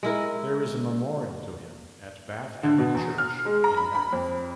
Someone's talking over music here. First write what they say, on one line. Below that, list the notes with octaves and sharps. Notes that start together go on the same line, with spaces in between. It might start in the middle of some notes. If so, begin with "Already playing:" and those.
There is a memorial to him at Bath Abbey church in Bath.
G#3 E4 A#4
D3
B2
E2
F6
G#3
A#5
B5
B5
F2